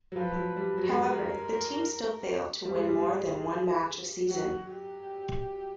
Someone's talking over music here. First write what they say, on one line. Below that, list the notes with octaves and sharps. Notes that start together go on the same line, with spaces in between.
However, the team still failed to win more than one match a season.
F#3
F3 B4
F3
F#3
G3
F#3
G#3
G3 A#4
G3 G#4
G#3
G3
F#3 F#4
G4